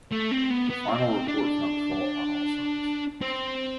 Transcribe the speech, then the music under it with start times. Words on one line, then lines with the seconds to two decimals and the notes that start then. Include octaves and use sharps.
The final report found fault on all sides.
0.12 A3
0.32 C4
0.51 B3
0.70 B3
0.89 C4
1.28 D4
3.21 C4